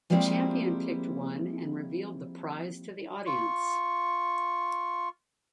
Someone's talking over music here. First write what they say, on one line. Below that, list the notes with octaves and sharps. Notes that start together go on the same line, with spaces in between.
The champion picked one and revealed the prize to the audience.
F3 G3 G#3 A#3 C4 E4
F4 C#6